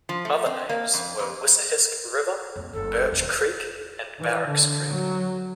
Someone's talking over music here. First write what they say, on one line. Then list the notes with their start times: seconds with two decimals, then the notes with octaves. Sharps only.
Other names were Wissahisk River, Birch Creek, and Barracks Creek.
0.09 F3
0.25 A3
0.46 C4
0.69 A#3
0.94 F2
1.19 F2
2.56 F2 A#3
2.73 F#1 D2 A4
3.12 D#1
4.19 E3
4.47 D3
4.88 F#3